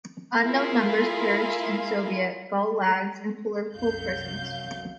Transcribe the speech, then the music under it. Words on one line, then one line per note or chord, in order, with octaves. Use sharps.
Unknown numbers perished in Soviet "gulags" and political prisons.
E4 F4 G#4 A#4 F5
C2 F#2 F#3 F5 G6